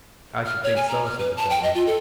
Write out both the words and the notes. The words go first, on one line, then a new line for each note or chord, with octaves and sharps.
'I should think so,' said the gentleman.
F6
C#5
G#5
A#5
F6
B4
A5
G5
D#5
F4
A4